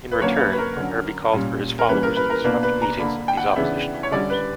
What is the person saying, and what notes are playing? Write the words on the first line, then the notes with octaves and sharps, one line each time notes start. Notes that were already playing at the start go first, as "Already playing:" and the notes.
In return, Garvey called for his followers to disrupt meetings of these oppositional groups.
B4
D3 F#3 A#3 C#4 C#5
B4
B4
A#4
D3 F#3 C#4
A#2 G3 C#4
A#4
E3 G3 A#3 C#4 B4
A#4
B4
A#4
B2 A#3 D4 B4
B4
A#5
D3 A#3 D4 B5
G5
F#5
C#3 E3 B3 D4 E5
C#5
D3 G3 C#4 D5
B4